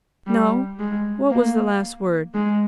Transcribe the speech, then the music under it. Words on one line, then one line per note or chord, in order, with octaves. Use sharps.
No? What was the last word?
G3
G#3
A#3
G#3